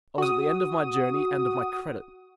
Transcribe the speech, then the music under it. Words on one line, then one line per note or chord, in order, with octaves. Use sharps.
I was at the end of my journey and of my credit.
F#4 D#6